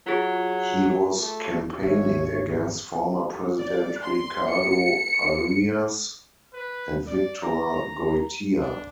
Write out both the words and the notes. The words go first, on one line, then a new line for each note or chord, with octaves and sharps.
He was campaigning against former president Ricardo Arias and Victor Goytia.
F#3 F4 G#4
A3
G#1 C#5 E5
D5
C6
C#7
B4
D5
A#5
D4